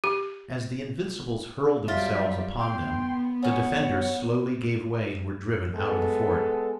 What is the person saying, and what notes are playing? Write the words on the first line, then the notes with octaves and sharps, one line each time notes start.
As the Invincibles hurled themselves upon them the defenders slowly gave way and were driven out of the fort.
G4
F#3 G3 F4 E5
B3 G5 C6
C#4 G#4 C#5 F#5
G#3 B3 A4